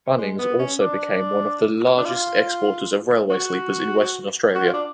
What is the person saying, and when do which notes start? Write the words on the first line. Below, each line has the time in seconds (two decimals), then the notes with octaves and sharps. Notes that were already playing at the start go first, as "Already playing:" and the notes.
Bunnings also became one of the largest exporters of railway sleepers in Western Australia.
0.18 G#3
0.39 B3
0.59 C#4
0.80 D4
1.97 D4
2.05 F4
3.30 F#4
4.55 F#4
4.65 F4
4.73 D4